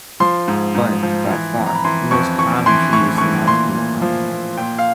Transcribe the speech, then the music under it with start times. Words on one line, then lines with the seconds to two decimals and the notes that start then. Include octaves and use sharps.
But, by far, the most common tree is the Monterey pine.
0.20 F3 C6
0.48 G#2
0.75 G#2
1.03 F3
1.30 E3
1.57 F2
1.66 A#5
1.75 B5
1.84 E3 C6
2.11 F2 C#6
2.38 E3 C#6
2.66 E3 C6
2.93 A2 C#6
3.18 E3 C#6
3.48 A#2 C6
3.75 A#2
4.02 F3
4.30 A#2
4.57 A#2 G5
4.79 F5